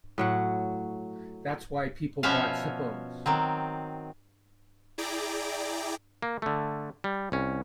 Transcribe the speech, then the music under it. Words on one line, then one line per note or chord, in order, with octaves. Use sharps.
That's why people bought Zippos.
A2 F#3 F#5
B2 F3 C#4 F#4 E5 F5
D#3 F#3 C4
E4 G#4 D5 G5 A#5 D6
A#3
D3 A3
G3
C2 C#4